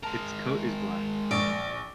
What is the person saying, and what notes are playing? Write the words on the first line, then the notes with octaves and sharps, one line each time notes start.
Its coat is black.
G#3 A#4 A5
A#1 D5 C#6